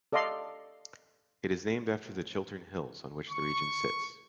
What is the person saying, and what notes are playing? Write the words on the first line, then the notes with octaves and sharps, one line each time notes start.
It is named after the Chiltern Hills on which the region sits.
A4 D5 D#5 F5 C6
C#6